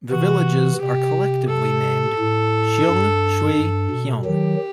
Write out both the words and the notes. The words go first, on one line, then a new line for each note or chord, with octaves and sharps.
The villages are collectively named "Sheung Shui Heung".
C3 E3 F#4
C3 G4
A4
A2
G2
G2
B2
D#3 F#3 G4